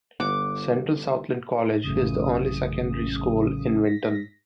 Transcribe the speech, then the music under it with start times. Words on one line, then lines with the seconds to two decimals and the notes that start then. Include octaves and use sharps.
Central Southland College is the only secondary school in Winton.
0.20 G1 F#5 D6
1.83 A1 F#2 A2 C#3 D#6
3.84 A#6 B6